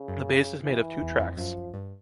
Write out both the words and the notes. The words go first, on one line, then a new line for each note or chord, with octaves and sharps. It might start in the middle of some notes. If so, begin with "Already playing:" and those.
The base is made of two tracks.
Already playing: C#3
F#2
E3
E2
F2
F#2 F3
G2